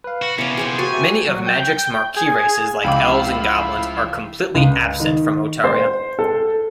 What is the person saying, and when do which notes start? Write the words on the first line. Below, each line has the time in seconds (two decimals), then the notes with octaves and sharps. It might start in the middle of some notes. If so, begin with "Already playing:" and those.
Many of Magic's marquee races like Elves and Goblins are completely absent from Otaria.
0.04 B4 F5
0.22 F#4
0.38 C3 B3 C#4 E4 D5 F5
0.57 G#4 C5 G#5
0.79 A#3 F#4 G4 G#5 A6
0.93 E5
1.28 F#3
1.46 G5
2.16 G#4
2.84 C#2 F3 E4 F5 G5 B5 D6
4.55 C#2
5.00 D#3
5.64 C5
6.19 A4